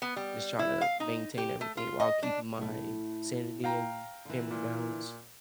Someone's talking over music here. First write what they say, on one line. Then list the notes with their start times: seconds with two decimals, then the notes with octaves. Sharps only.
just trying to maintain everything while keeping my sanity and family balance
0.02 B3
0.16 G3
0.59 E4
0.81 F5
1.00 D#4
1.38 G4
1.61 A3
1.77 F4
2.00 D#5
2.23 D4
2.58 A2 A3
3.64 F5 G5 A#5
4.25 D3 E3
4.51 A#2